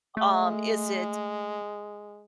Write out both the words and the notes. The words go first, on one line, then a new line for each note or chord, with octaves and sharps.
Um, is it
G#3 A3